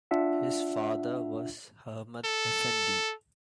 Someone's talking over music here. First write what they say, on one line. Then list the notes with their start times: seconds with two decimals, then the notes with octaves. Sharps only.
His father was Ahmed Efendi.
0.11 D4 F4 E5 F#5
2.25 A4